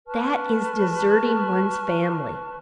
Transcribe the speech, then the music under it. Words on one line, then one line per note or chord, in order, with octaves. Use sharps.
That is deserting one's family.
B4 A5 C#6 F6